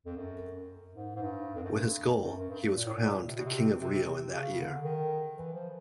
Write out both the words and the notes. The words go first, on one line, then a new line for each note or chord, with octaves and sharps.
With his goal he was crowned the King of Rio in that year.
F2
F#2
G#2
G#2
G2
F2
F#2
G2
F#2
F#2
G2
A#2
A2
A#2
C3
B2
C3
C3
C3
C#3
D3
D3
D#3
E3
F3